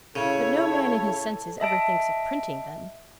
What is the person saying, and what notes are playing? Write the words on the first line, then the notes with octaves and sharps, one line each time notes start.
But no man in his senses ever thinks of printing them.
C#3 E4 A4 C#5
D#5 E5 A5 D7